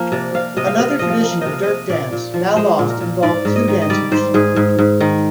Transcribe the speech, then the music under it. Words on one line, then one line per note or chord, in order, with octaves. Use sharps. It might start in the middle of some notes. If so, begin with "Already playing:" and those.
Another tradition of dirk dance, now lost, involved two dancers.
Already playing: F3 A#3
C3 D5
C3 F5
C3 D#5
F5
C3 D#5
F5
F3 D#5
F5
A#3 D#5
F5
C3 D#5
F5
C3 D#5
A#2 D5
A#2
F3
G#3 C5
A#2
A#4
A#2
G#2 D5
G#2
D#5
D#3
D#5
G3 D5
G#2 C5
G#2 G#4
G#2
G#2
D#3